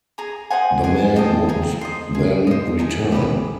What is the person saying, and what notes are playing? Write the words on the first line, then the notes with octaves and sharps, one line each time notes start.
The men would then return.
G#4 G#5 A#5
C5 D#5 F#5 G#5
G#4 F#5 G#5
C5 D#5 G5 A5
G#4 G#5 A#5
C5 D#5
G#4
C5 D#5
D#4 G#5 A#5
G4 B4 D#5